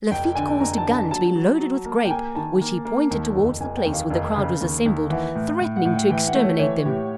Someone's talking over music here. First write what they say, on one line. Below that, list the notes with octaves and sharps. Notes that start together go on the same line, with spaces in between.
Lafitte caused a gun to be loaded with grape, which he pointed towards the place where the crowd was assembled, threatening to exterminate them.
F1 G5
D3 G#5
F1 A#5
A5
D3
A5
F#3 A5
F#3
F#3
A#3
G5
A#3 G#5
D#3 A5
A#3
A#3
D#2
F1
F1 G#5
G5
D#2
F5
F1 F5
C#3
D#2
D#2
E3 F#5
A2
A2
F#5
A2
G5
E3 G5
F#5
A3
C#5
E3 C#5
A2 G4